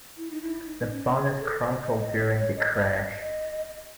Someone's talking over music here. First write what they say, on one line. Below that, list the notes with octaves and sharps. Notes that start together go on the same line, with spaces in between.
The bonnet crumpled during the crash.
E4
D#4
E4
D#4
C#4
G#4
A4
C5
D#5
D#5
C#5
C#5
D#5
D#5
D#5
D#5